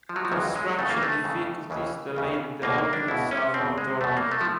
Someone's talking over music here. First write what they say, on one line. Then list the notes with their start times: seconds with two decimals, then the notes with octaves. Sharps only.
Construction difficulties delayed the opening south of Dorking.
0.09 F3
0.16 F#3
0.25 F3
0.32 C#2 C#3 E3 F#3
0.56 G#3
0.79 F2 C#3 E3 A3
0.90 A#3
1.03 A3
1.24 F2 C#3 E3
1.70 D#2 C#3 E3
2.16 D#2 C#3 E3
2.62 C#2 B2 A#3
2.78 A#3
2.93 D4
3.08 C#2 B2 E4
3.31 C#4
3.54 E2 B2 C4
3.78 G#3
4.01 E2 B2 A3
4.17 A#3
4.31 A3
4.41 F3